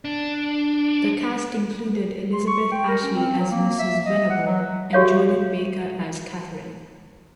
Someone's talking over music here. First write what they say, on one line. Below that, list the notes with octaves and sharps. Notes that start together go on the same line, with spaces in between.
The cast included Elizabeth Ashley as Mrs. Venable and Jordan Baker as Catharine.
D4
C6
C#6
G5
A#4
C#4
C4
F#3
A#3
E5
D#5
F#5
F#3
F#4 G4 A4 C#5 E5 F5